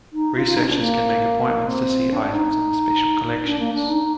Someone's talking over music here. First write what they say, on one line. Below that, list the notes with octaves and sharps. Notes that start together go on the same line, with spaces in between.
Researchers can make appointments to see items in the special collections.
D#4
F4
F4
D#4
C4
D4
A#3
C4
D4
D#4
D4
A#3
D4
D#4